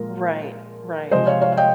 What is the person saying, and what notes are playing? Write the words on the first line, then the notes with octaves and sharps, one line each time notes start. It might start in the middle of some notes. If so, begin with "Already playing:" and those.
Right, right.
Already playing: A#2 F3 G#3 A#4
C3 F3 G#3 C5 D#5
C#5 F5
C#5 F5
F5
D#5 G5